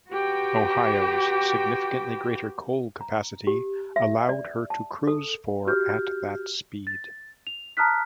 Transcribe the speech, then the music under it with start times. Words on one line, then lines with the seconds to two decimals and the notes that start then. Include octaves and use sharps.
"Ohio"s significantly greater coal capacity allowed her to cruise for at that speed.
0.11 F#4 G4 B4 G5
3.01 A#5
3.47 G4
3.96 E5
4.29 D5
4.70 A5
5.07 A4
5.67 F#4 G4 F6 G6
6.87 A6
7.47 F7
7.77 A5 A#5 D#6 F6 F#6 B6